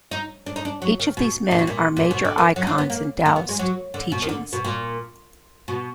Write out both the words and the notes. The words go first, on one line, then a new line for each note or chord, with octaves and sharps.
Each of these men are major icons in Daoist teachings.
D#4
D4
D#4
D4
F#3
D#3
B2
A#2
B2
A#2
A#2
B2
D3
D#3
F#3
D#4
D4
B3
A#3
A#3
B3
G#3
F#3
D3
B2
D#3
D3
B2
A#2
B2